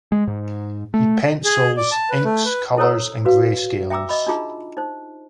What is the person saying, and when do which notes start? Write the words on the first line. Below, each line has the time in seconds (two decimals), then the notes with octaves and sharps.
He pencils, inks, colors and greyscales.
0.12 G#3
0.28 G#2
0.94 A3
1.45 G#4
1.77 D5
1.92 A5
2.10 B4
2.24 A3
2.45 B4
2.77 E4 A4 C5 C#5 A#5 E6
3.25 F#4 B4 F5
3.90 E5 G5 A#5 D6 E6
4.09 D#5 B5
4.27 D4 D#4 F4 G#4 A#5
4.77 D#4 C5